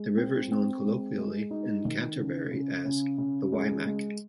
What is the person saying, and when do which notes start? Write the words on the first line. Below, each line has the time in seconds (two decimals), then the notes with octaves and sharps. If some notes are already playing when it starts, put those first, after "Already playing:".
The river is known colloquially in Canterbury as "The Waimak".
Already playing: G#3
0.17 C4
0.51 C4
0.84 G#3
1.18 G#3
1.51 D#4
1.85 D#3
2.18 C#3
2.51 C#3
2.85 C#3
3.18 C#3
3.52 G#3
3.86 G#3